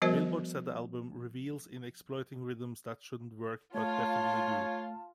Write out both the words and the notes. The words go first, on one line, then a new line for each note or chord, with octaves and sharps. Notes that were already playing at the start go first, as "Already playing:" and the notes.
"Billboard" said the album "revels in exploiting rhythms that shouldn't work-but definitely do".
F3 G3 B3 F#4 A#4 C5
A3 F4 C#5 A5